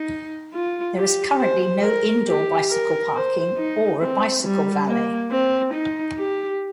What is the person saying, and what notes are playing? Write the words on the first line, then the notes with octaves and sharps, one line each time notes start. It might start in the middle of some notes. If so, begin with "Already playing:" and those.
There is currently no indoor bicycle parking or a bicycle valet.
Already playing: D#4
F4
G4
C5
A#4
G4
A#4
C5
D#4
C4
G3
A#3
C4
D#4
G4